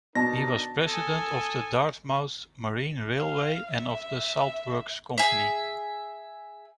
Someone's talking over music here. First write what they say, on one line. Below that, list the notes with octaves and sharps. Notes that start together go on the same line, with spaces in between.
He was president of the Dartmouth Marine Railway and of the Salt Works Company.
B2 D4 D#4 A#4 A5 A#6
A4 G#5 D#6
F5
E5
G#4 E5